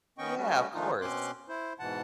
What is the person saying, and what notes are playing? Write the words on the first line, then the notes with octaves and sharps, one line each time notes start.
Yeah, of course.
D#3 B3 C#4 D#5 G5 C#6
G3 A3 C#4 F#4
D#3 F3 A3 D4 D#4 F4
B2 C4 C#4 C6 D6 F#6
E4 C5
G#2 B2 E3 F#5 A5